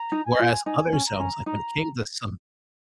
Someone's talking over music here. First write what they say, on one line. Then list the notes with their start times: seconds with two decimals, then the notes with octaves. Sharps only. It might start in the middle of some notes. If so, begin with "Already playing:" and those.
whereas other selves, like when it came to some
Already playing: A#5
0.12 D#4
0.26 G#5
0.39 F4
0.66 D#4 G#5
0.93 C#4
1.06 A#5
1.20 C#4
1.46 D#4 A#5